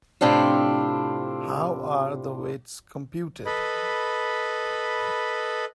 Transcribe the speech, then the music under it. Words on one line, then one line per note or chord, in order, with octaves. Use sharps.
How are the weights computed?
A2 C3 C4 D4 F4
A4 B4 D#5 B5